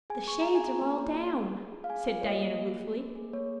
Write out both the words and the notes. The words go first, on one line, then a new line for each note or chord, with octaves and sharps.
"The shades are all down," said Diana ruefully.
G#4 G#5
G#4 C#6
F4 A#5
G#5
G#4 A#5
A#3
F4
A#3
G#4
G#4
G#4
F5
G#4 G#5
F4
C#5
A#3 D#5
A#3
A#3
G#4
A#3
G#4
A#3 C#5